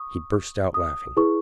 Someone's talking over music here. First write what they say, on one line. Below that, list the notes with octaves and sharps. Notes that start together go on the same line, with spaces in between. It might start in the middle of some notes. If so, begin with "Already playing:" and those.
He burst out laughing.
Already playing: C#6 D#6
D#6
E4 G#4 B4 C#6